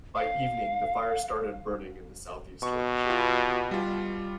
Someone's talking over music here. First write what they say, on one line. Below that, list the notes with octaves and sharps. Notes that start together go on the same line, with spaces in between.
By evening, the fire started burning in a southeast direction.
F5
B2 C#6
F4 G4
G3 F4